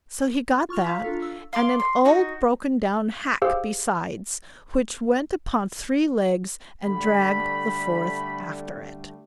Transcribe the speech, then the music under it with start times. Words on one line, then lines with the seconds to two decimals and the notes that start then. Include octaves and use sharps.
So he got that, and an old broken-down hack besides, which went upon three legs and dragged the fourth after it.
0.69 F4 C#6 F6 F7
0.84 F5 A#5 B6
1.04 D4 F4 A4
1.22 E6
1.53 F5 C6 D6
1.80 C6
2.05 D#4 F#4
3.42 G4 G#4 C5 F5 E6
6.84 D3 G3 A3 B5